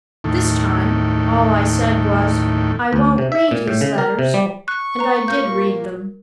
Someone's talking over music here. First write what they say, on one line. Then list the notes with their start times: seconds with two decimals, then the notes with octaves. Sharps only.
This, time, all I said was, 'I won't read his letters!' And I did read them.
0.24 D#2 A2
2.93 D2
3.18 C3
3.32 E5
3.51 A#2
3.68 A2
3.81 C#3
3.98 A#4
4.19 C3
4.34 G3
4.68 C#6 F#6
4.99 B4 A#5
5.28 A#2 A#3 A#4 G6